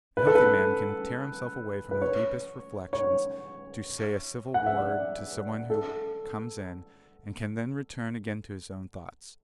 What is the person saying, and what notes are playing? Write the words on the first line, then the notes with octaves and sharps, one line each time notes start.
A healthy man can tear himself away from the deepest reflections to say a civil word to someone who comes in and can then return again to his own thoughts.
B4
A4
B4
B4
C#5
C#5
F#5
E5
D5
A4